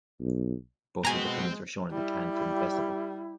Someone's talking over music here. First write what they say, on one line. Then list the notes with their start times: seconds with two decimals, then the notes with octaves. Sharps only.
Both of the films were shown at the Cannes Film Festival.
0.21 B1
1.05 G#3 B3 C4 F#4 G#5 A#5
1.92 G3 E4